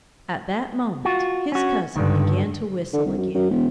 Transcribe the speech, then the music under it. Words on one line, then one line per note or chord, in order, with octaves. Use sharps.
At that moment his cousin began to whistle again.
F4 F#4
C#4 F#4
C#2 G2 D3 D#3
D3
C2
F#2
F#2
E1